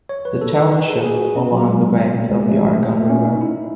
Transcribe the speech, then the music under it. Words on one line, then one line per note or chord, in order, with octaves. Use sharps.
The township along the banks of the Argun River.
C#5
B4
A4
A4
B4
G#4
G#4
F#4
C#4
F#3
G#3
G#3
A3
A3
C#4
D#4
E4